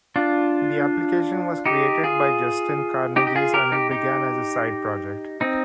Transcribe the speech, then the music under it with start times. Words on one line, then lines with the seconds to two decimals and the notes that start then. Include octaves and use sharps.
The application was created by Justin Karneges and it began as a side project.
0.16 D4 F4
1.66 D#4 G4
2.03 F4 G#4
3.16 D#4 G4
3.27 G4
3.35 F4 G#4
3.54 G4 A#4
3.72 D#4 G4
3.91 D#4 G4
5.41 C4 D#4